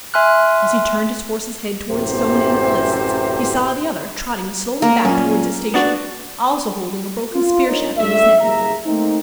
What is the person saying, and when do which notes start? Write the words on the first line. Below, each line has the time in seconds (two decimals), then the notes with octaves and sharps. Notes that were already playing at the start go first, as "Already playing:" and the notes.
As he turned his horse's head towards his own end of the lists, he saw the other trotting slowly back towards his station, also holding a broken spear shaft in his hand.
0.14 E5 G#5 C6 F6 F#6
1.90 A1 F#2 C3 G4 C5
4.82 A#3
5.05 F#2 A#2 C#4
5.74 B3 D4 F#4
7.33 F4
7.66 D4 D#4 A#4 C#5 D#5
7.96 F#2 A3 D4 E5
8.40 F#1 C2 A#3 G#4 E5 A#5
8.86 A3 A#3 C4 D#4